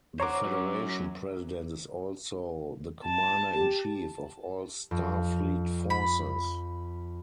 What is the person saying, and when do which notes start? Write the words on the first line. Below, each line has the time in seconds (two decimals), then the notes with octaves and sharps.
The Federation President is also the commander-in-chief of all Starfleet forces.
0.20 C5 C#5 F#5 A#5 D6
0.45 F#2 F#3
3.05 A5
3.54 G4
4.91 F2
5.90 B5